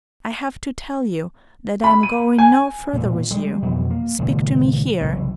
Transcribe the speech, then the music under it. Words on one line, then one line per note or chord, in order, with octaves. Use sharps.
I have to tell you that I am going no further with you. Speak to me here.
B5
D#7
G#5
E1 A#2 A#3
G3 G#3
F2 B2 E3 F#3
A#3
C#2 A#2 D#3
F#1 C2 A2 E3